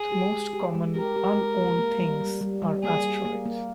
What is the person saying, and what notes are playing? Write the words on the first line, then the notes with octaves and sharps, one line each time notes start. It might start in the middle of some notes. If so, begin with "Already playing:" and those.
The most common unowned things are asteroids.
Already playing: G#4
G4
G#3
G4
G#3
G4 A#4
G4
G#3
A#3
A#3
G3
G3
G3
G3
A#3 G#4
G3
A#3
A#3